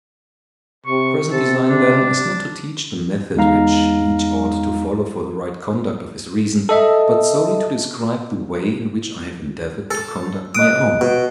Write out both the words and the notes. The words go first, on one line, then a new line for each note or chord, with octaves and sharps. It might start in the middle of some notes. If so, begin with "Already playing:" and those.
My present design, then, is not to teach the method which each ought to follow for the right conduct of his reason, but solely to describe the way in which I have endeavored to conduct my own.
C3 C#6
C3 A4
D4
E2 G#3 D#4 F5 A#5
A4 D#5 E5
A4
D#5 D#6 F#6 D7
B2